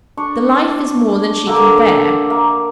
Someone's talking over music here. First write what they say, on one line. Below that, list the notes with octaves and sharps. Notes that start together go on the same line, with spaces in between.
The life is more than she can bear.
D4 C#6
D3 A#3 D6
A#3